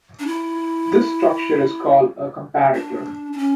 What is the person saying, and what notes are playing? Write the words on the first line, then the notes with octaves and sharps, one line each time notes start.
This structure is called a "comparator".
D4
E4
D4
D4
C#4